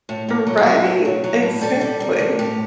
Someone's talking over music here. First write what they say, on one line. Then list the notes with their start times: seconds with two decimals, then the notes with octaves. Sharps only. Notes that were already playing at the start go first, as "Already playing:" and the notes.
Right. Exactly,
0.09 A2
0.28 A2
0.47 F#3
0.67 F#3
0.85 A2
1.05 F#3
1.24 F#3
1.42 A2
1.61 G3 A4
1.81 G3
2.00 G3 A#4
2.19 A2
2.39 A2 G4